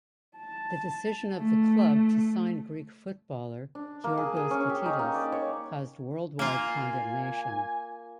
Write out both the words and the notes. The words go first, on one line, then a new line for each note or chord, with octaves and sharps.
The decision of the club to sign Greek footballer Giorgos Katidis caused worldwide condemnation.
A5
A3
D4
A#3
G#4
G#4
C#4
G4
D#4
A#3
D5
C#5
A#3 F4 G#5